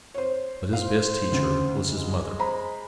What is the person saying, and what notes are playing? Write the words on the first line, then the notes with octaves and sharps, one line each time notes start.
But his best teacher was his mother.
C5 C#5
C5 F5
D2 C#3
G#3
C5 A#5 B5